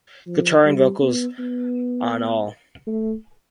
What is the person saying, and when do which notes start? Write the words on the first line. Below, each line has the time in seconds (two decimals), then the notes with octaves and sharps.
Guitar and vocals on all.
0.27 F3
0.65 G3
1.02 B3
1.39 B3
2.87 A3